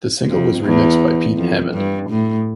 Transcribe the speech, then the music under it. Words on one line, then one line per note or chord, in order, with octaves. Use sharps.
The single was remixed by Pete Hammond.
F2
E2
F2
G2
A2